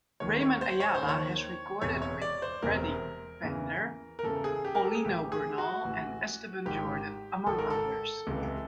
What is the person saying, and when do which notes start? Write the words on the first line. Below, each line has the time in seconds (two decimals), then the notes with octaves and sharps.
Ramon Ayala has recorded with Freddy Fender, Paulino Bernal and Esteban Jordan, among others.
0.20 D#2 D#3 C#5
0.41 C#5
0.61 C5
0.80 C#5
0.95 C5
1.01 D#2 D#3
1.08 C#5
1.82 E1 E2 C3 C#5
2.02 C#5
2.21 D5
2.42 C5
2.62 E1 E2 C3 A#4
3.43 E2 C#3 E3
4.19 A#4
4.23 E2 C#3 E3 A4
4.44 G#4
4.65 G4
4.75 A#4
4.85 A4
4.95 G#4
5.05 A1 A2 E3 G4
5.32 G#4
5.58 F#4
5.85 A1 A2 E3
6.66 G#1 G#2 D#3 G4
7.47 G#1 G#2 D#3 A4
7.58 A#4
7.70 A4
8.27 C#2 C3 E3